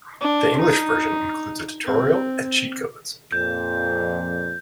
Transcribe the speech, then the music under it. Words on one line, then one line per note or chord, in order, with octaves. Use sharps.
The English version includes a tutorial and cheat codes.
D4
D#4
C4
F2 A#2 G6